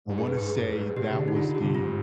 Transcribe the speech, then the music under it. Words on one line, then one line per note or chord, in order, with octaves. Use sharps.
I wanna say that was the,
G#2
G2 G#4
B4
G#2 G#4
G2
F2
G2
G#2
B2 G4
C3
D3
D#4
D3 F4
D3
G4
C3
G#2 F4